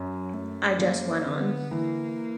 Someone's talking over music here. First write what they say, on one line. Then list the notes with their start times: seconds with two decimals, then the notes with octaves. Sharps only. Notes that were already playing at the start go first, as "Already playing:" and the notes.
I just went on.
Already playing: F#2 F#3
0.33 F#2 A3
0.79 F3 A#3
1.25 D3 B3
1.71 E3 A#3